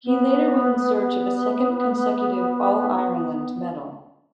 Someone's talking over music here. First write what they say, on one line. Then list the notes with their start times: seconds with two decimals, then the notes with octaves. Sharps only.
He later went in search of a second consecutive All-Ireland medal.
0.04 B3
0.99 B3